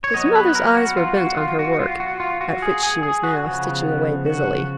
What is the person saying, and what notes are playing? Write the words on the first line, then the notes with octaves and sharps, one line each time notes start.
His mother's eyes were bent on her work, at which she was now stitching away busily.
C#5
F#3 B3 D#5
B4
A#4
F#4
F4
F#4
F4
F#4
F4
F#4
F4
F#4
G#4
G#4
G#4
F#4
C#3 F3 B3
F#4